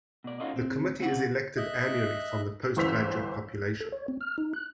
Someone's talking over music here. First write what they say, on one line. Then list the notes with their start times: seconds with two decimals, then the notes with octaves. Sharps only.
The Committee is elected annually from the postgraduate population.
0.24 B2 D5
0.40 C#4 D#4 F4 F#4 A4 D#5
0.56 C4
1.00 C#3 C4 F#5
1.57 D#5 E5 F#6
2.76 G1 E3 C5 E6 B6 F7
3.80 A4
3.92 C#5
4.08 C4
4.21 F6
4.38 D#4
4.53 F#6